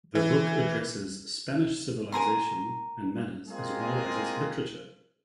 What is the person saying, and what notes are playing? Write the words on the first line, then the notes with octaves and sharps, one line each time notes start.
The book addresses Spanish civilization and manners as well as its literature.
E3
A#4 G#5 A#5 C6
G#3 A#3 C4 F4 G#4